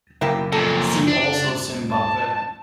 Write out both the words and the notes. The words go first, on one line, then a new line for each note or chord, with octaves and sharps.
See also Zimbabwe.
F#1 F#2 B2 A#3 E4 G4
F2 A#2 A4
D4
A5